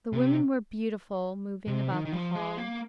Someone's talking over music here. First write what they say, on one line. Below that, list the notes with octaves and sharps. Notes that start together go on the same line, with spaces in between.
The women were beautiful, moving about the hall.
C3
C3
D#3
D#3
F3
G#3
A#3